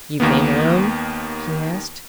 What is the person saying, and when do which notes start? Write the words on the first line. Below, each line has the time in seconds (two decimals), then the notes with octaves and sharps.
"You came alone?" he asked.
0.20 D#2 D#3 A#3 B3